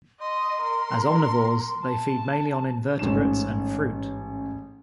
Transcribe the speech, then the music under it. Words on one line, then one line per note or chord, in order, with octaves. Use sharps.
As omnivores, they feed mainly on invertebrates and fruit.
D#5 C6
A#4
A5
A1 G#2 C#4 E7